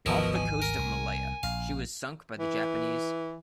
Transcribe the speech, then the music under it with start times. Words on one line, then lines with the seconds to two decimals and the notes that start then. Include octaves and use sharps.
Off the coast of Malaya, she was sunk by the Japanese.
0.06 G#1 D2 B2 E3 F3 E4 A#4
0.35 G#5
0.62 A#4
0.78 C2
1.43 A#1 F5
2.39 E3